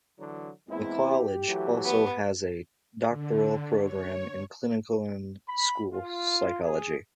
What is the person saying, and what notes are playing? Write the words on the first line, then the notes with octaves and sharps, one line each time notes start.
The College also has a doctoral program in Clinical and School Psychology.
D3 E3 F#3
E2 G#3 A#3 C4 E4
G4
E3 F#3 A3
B3
D3
C#5
B5
F4
G#4